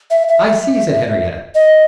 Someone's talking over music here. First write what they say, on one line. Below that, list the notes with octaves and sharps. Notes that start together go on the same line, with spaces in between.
"I see," said Henriette.
E5
E5
D#5